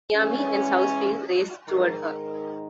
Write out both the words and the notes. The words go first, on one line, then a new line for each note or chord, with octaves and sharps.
"Miami" and "Southfield" raced toward her.
E3 G#3 C#4
G#2 D#3 G#3 D#4 A#4